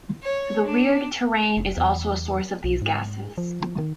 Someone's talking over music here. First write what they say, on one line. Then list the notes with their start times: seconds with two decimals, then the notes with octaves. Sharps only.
The weird terrain is also a source of these gases.
0.23 C#5
0.65 D4
1.57 F1
1.77 E2
2.64 B1
2.82 G#2
3.38 F3
3.78 D#3